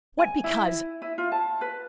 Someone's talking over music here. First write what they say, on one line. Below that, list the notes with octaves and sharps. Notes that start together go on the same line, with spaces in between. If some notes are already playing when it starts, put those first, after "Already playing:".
What because?
G#5
E4
E4
F4
A5
B4